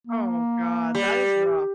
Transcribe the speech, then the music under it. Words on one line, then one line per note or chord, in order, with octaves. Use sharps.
Oh god, that is rough.
A#3
G3